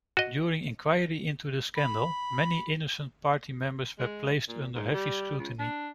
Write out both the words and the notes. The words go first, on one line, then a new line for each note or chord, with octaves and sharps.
During inquiry into the scandal, many innocent party members were placed under heavy scrutiny.
F#4 D#5
B5
G#3
A#2
G#2
G3
C#2
D4